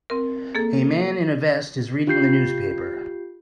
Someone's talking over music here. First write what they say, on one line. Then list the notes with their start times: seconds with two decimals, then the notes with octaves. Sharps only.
A man in a vest is reading the newspaper.
0.10 C4 A#4
0.55 A#3 G#4 A4
2.07 F4 G4 G6 C7